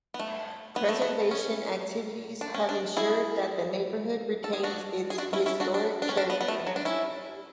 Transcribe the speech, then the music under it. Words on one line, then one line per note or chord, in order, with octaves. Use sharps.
Preservation activities have ensured that the neighborhood retains its historic character.
B3
A3
B3
A3
B3
C#4
D4
C#4
D4
E4 G#4
A4
G#4
D4 F#4
G#4
D4 F#4
C#4 E4
C#4 E4
D4 F#4
D4
D4
C#4
D4
B3
B3
A3
F#3
D4
C#4 E4